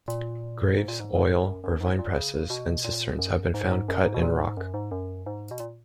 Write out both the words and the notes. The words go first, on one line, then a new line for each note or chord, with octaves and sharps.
Graves, oil or vine -presses, and cisterns have been found cut in rock.
A#2
G#2
A#2
G#2
F#2
F#2
G#2
A#2
C#3
B2
A#2
F#2
G#2
G#2
F#2
G#2
B2
A#2
G#2
F#2
G#2
F#2
G#2
B2
A#2